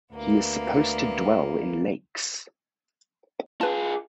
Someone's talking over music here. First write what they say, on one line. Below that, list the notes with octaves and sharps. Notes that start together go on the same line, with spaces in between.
He is supposed to dwell in lakes.
D2 A#3 B3
F4 G#4 B4 A5